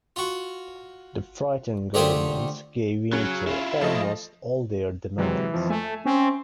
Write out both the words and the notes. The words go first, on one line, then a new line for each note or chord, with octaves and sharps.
The frightened government gave in to almost all their demands.
F4 F#4
D3 A3 F4 G4 G#4 C5
C#3 F#3
E4 F4
F3 A3 D#5
C3 E3 F#3 G#3
F2 F3
A3 E5 G#5
C4 C#4